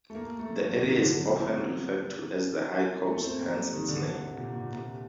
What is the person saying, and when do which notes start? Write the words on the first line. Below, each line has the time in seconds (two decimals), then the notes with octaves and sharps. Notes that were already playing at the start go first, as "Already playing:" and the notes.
The area is often referred to as The High Coast, hence its name.
0.10 A3
0.15 A#3
0.39 A3
0.64 F#3
0.80 D#3
0.96 D3
1.12 F#3
1.19 C4
1.24 A#3
1.37 C4
1.49 A#3
3.07 A3
3.23 C4
3.39 A#3
3.55 G3
3.73 D#3
3.88 D3
4.05 D3
4.21 C3
4.37 A#2
4.53 A#2
4.66 A#2
4.77 C3